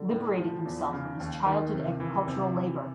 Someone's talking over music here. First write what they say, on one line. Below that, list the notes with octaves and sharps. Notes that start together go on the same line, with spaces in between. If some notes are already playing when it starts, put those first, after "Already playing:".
Liberating himself from his childhood agricultural labor.
Already playing: D3
A2
F3
E2
C#3
D#2
D#3
C3
E3
C3
E3